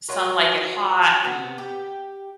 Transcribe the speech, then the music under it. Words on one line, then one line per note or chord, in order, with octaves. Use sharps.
Some Like It Hot, and
F#3 F4 F#4 A#4
B3
G4